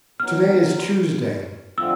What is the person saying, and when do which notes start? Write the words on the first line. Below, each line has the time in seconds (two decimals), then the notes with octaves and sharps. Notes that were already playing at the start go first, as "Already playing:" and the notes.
To-day is Tuesday.
0.19 A#2 F#3 B3 D#4 F6
1.78 D3 F3 A3 C4 F4 E6